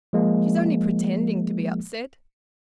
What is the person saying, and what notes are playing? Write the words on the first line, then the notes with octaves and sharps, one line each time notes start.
She's only pretending to be upset.
F3 G#3 A#3